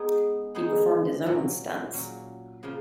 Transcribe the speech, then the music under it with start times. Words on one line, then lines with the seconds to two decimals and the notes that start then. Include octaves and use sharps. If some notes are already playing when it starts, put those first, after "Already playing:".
He performed his own stunts.
Already playing: G#3 B3 D#4 G#4
0.55 G#3 B3 D#4 G#4
1.24 A#2 F#3 C#4
1.93 A#2 F#3 C#4
2.63 C#3 F3 A#3 F4